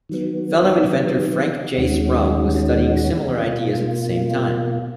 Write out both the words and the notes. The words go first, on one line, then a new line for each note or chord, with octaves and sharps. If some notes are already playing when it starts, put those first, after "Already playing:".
Fellow inventor Frank J. Sprague was studying similar ideas at the same time.
D#3 F#3 B3
D#2 D#3 G#3 C#4 F#4
B2 A#3 F4